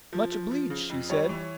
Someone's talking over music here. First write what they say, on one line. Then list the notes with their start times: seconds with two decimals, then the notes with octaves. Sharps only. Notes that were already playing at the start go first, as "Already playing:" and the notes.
"Much obleeged," she said.
0.13 F3
0.32 F3
0.51 F3
0.70 C#3
0.90 F2
1.10 G3 C#5
1.29 E3